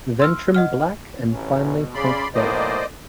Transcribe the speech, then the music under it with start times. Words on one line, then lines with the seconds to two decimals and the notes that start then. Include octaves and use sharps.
Ventrum black and finely punctate.
0.20 C6 E6 F6
0.54 D#5 F#5 F6
1.31 A1 D2 C#4
1.61 B2
1.95 C#3 D5 B5 C6
2.35 B1 A2 A#3 C5 D5 D#5